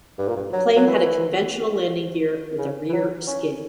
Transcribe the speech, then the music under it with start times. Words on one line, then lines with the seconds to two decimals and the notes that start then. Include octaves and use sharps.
The plane had a conventional landing gear, with a rear skid.
0.18 G2
0.28 A#2
0.36 G2
0.53 F#3
0.76 F#3
0.87 E3
2.58 C#3
2.89 E3
2.93 F#3
3.27 C#4